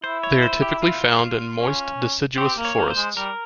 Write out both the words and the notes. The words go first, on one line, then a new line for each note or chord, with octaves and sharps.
They are typically found in moist deciduous forests.
E4 C5
C#5
C5
G4
F4
C#4
C4 G4
A#3
C#5
A#3
C5
G#3
G3 A#4